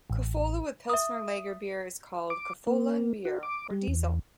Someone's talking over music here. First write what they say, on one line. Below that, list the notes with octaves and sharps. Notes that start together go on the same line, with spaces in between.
Kofola with pilsner lager beer is called "Kofola 'n' Beer" or "Diesel".
A1
E5 D#6
D6
A#3
F#4
D6
G3
E2